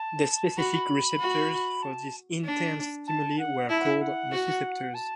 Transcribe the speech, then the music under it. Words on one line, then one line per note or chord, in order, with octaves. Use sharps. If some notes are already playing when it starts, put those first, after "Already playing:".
The specific receptors for these intense stimuli were called nociceptors.
Already playing: A5
F#4 B5
F#4
A5
D4
A5
F#5
E4 A5
F#5
E5
F#5
F#4
A5